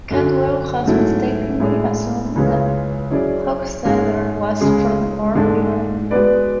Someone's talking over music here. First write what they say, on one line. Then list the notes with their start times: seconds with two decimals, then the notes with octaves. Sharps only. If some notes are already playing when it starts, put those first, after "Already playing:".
Cantwell has mistakenly assumed that Hockstader was for the more liberal man.
0.11 F#2 D3 F#3
0.86 G#2 F#3 A3 C#4 E4
1.60 A2 G#3 D4 G#4
2.35 C#2 C#3 E3 G#3 C#4
3.10 F#3 C#4 E4 G#4 D5
3.85 G#2 G#3 C#4 G#4 C#5
4.61 C#2 C#3 G#3 C#4 G#4
5.35 G#2 G#3 D4 A4
6.11 G#3 B3 F#4 B4 D5